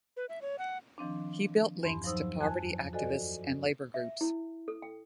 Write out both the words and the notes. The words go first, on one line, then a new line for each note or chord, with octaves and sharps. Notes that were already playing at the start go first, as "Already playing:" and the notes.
He built links to poverty activists and labour groups.
B4
E5
C#5
F#5
D#3 F3 C4 D4
E2 G2 B5 C6
F3 F#3 D#4 C5 D#6 E6
F2 G#5 A5 F#6
F#4 A4 C5 D5 D#5 G#5
E5
E4
A4
G5